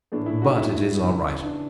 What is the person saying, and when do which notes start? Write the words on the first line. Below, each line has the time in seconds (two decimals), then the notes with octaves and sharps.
But it is all right.
0.12 A2 E3 A3 D4
0.26 E4
0.42 F#4
0.56 E4
1.00 C#3 E3 B3
1.43 D4